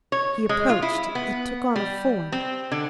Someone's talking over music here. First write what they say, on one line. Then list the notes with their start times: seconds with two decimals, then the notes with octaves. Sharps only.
He approached, it took on a form.
0.12 C#5
0.49 G#3
0.69 F4
0.82 E4
1.15 B3
1.76 G3
2.32 C4
2.72 D3